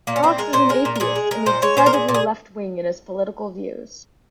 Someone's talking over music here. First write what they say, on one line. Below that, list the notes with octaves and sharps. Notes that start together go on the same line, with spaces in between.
Cox is an atheist and is decidedly left wing in his political views.
A#2 A#3
C#4
A#2 C4
G#3 A#4
A#2 C5
G#3 A#4
A#2
A#4
A#2 G#4
G#3
G#3 A#4
A#2 C5
G#3 C#5
A#2 C5
A#4
A#2 G#4
A#2
G#4